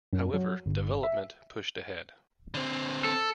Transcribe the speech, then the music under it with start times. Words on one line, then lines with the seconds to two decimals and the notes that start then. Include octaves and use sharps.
However, development pushed ahead.
0.13 F#2
0.34 F#3
0.66 G1
1.04 E5
2.54 D3 C4
3.04 A4